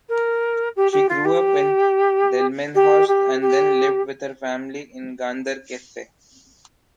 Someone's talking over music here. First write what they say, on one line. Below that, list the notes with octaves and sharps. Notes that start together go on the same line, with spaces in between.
She grew up in Delmenhorst and then lived with her family in Ganderkesee.
A#4
G4
G4
F4
G4
G4
G4
G4